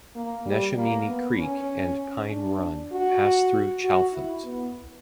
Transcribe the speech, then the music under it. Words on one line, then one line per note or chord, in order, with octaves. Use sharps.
Neshaminy Creek and Pine Run pass through Chalfont.
A#3
G3
A#3
B3
C#4
D4
F#4
F#4
E4
B3